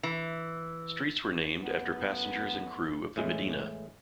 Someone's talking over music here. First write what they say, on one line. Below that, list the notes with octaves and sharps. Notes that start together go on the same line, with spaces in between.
Streets were named after passengers and crew of the "Medina".
E3
F#2 A2 B3
A2 E3 G#3